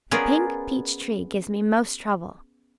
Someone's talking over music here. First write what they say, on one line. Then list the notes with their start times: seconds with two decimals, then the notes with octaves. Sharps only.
The pink peach tree gives me most trouble.
0.11 B3 C#4 F4 G#4 A#4 D5